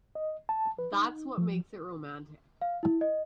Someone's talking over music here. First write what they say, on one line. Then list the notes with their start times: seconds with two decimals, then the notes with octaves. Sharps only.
That's what makes it romantic.
0.15 D#5
0.49 A5
0.79 B4
0.93 D#4
1.38 F3
2.62 F5
2.83 E4
3.01 D#5